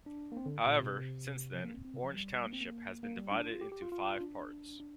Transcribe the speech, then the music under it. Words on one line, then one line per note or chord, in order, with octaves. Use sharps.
However, since then, Orange Township has been divided into five parts.
D4
A#3
C4
D3
A#2
C3
F3
A#3
C4
C4
C3
F3
G3
A#3
C4
A#3
A#3
G3
D4
F4
G4
G4
F4
F4
D4
D4